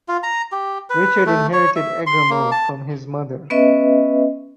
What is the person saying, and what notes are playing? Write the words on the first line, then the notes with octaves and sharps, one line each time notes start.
Richard inherited Egremont from his mother.
F4
A#5
G4
B4
A3
C#5
E5
C6
A#3
A5
B3 C#4 B4 D#5 E5